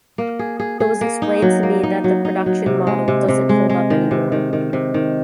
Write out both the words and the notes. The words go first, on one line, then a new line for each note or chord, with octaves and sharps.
It was explained to me that that production model doesn't hold up anymore.
A#3
G#4
G#4
G#4
A#3
D#4
F#3
A#3
D#4
F#3
D#4
F#3
C3
G#3
C3
C3
G#3
G#3
D#3
C3
D#3
D#3
C3
D#3